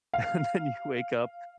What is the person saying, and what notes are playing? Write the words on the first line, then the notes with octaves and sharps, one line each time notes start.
and then you wake up,
F5